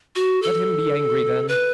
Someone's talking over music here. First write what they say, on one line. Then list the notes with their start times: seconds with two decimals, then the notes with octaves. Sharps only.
Let him be angry then.
0.16 F#4
0.42 A4
1.48 B4